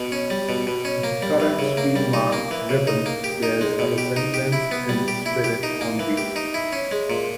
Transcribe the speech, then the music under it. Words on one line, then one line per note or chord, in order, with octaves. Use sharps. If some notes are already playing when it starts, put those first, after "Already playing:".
The current "Speedmarque" ribbon bears a resemblance in spirit only.
Already playing: B2
C#4
G3
B2
B2
C#4
A#3
G3
E3
C#3
A#3
G3
D#4
A#3
E3
C#3
D#4
A#3
G4
D#4
G#3
B2
G4
D#4
G4
E4
B3
G3
G4
E4
G4
D#4
A#3
E3
G4
D#4
E4
C#4
G#3
A#2